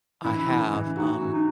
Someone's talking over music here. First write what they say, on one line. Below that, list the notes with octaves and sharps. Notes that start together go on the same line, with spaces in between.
I have, um
E3 E4
E3
E3
D#4 F#4
E3
D#4